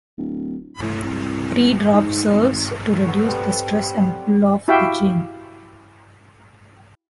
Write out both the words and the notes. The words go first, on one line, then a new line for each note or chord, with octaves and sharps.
The pre-drop serves to reduce the stress and pull of the chain.
D1
A2
C2
G#2
G#1
B3 A4 C#5
G3 C4 F#5 A5
E4 F#4 G4 E5 F5 G5